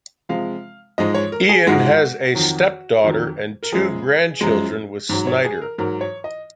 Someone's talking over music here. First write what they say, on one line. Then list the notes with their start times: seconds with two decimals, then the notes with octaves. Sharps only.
Ian has a stepdaughter and two grandchildren with Snyder.
0.29 C3 F3 G#3 F5
0.98 G#2 F3 G#3 D#5
1.14 C#5
1.32 A#4
1.49 G#4
1.67 G#2 F3 G#3 F#4
2.35 F2 D#3 F#3
3.04 F2 D#3 F#3
3.63 A#4
3.72 F#2 F3 G#3 G#4
4.41 F#2 F3 G#3
5.09 G#2 F#3
5.27 C#5
5.45 G#4
5.62 A#4
5.78 G#2 F#3 A#4
6.01 C#5
6.24 D#5